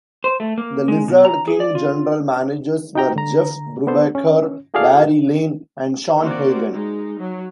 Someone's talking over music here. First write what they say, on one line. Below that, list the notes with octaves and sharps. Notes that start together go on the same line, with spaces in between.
The Lizard King General managers were Jeff Brubaker, Larry Lane, and Shawn Hegan.
C5
A3
A#3
G#3
B2
A#5
G#4
D5
F4
D#4 F#4 G5 A#5
D3 A#5
B3 D4 A4 C5
C#4
E4 F#4 G#4 A4 D5 F5
A#3 C4 F#4 C5 D5
G#3 D#4
F#3